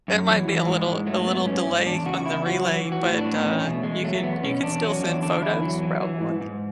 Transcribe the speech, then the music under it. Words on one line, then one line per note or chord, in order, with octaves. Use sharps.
there might be a little a little delay on the relay, but, uh, you could you could still send photos, probably.
F#2
E3 F#3
E3
G#2 G#3
G#2
F#3 A3
F#3 B3
G#2 C#4
G#2
E2 D4
C#3 F#4
E2 E4
F#3 F#4
E3
E3
F#4
A2
D4
A2
B3
E2 C#4
B2 A3
E2 G#3
F#3 A3
A3
E2 B3
B2 C#4
E2 D4
F#3 C#4
E2 D4
D3 D4
E2 E4
F#3
E3
E3
G#2
G#2